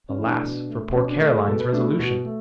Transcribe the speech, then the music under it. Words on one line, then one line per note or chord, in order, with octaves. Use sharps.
Alas for poor Caroline's resolution!
C#4
E3 A3 E4
D4
B2
A3
B2 C#4
D4
A3 A4
G#4
B2 A4
B4
A3 D4
E4
B2 F#4
A3